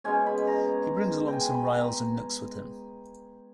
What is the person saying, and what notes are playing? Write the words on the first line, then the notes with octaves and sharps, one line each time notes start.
He brings along some Ryls and Knooks with him.
B2 G#3 C#4 G#5
B5
A#5
G5 G#5
B5
B5
A#5